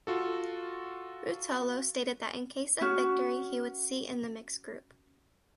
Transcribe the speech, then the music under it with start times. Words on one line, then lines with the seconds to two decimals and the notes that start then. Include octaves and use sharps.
Ruotolo stated that in case of victory he would seat in the Mixed Group.
0.07 F4 F#4 A4
2.81 C#4 F#4